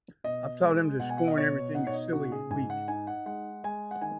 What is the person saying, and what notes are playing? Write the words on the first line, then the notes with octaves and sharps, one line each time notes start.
I’ve taught him to scorn everything as silly and weak.
B2 D#5
G#3
B2 F#5
G#5
F#5
D#5
B2 C#5
D#4 F#5
C#5
D#5
C#3 F#4
G#4
G#2 G#5
F#5
D#4 G#5
F#5
G#3 F#5
G#3 G#5
F#5
D#3 G#5